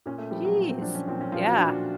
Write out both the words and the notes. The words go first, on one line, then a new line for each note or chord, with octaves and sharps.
Jeez, yeah.
A#2 C#4
A3
F3 G3
F#3
A#2
C4
F3 D4
C#4
A#2 C4
C#4
F3 F4
F#4
A#2 D4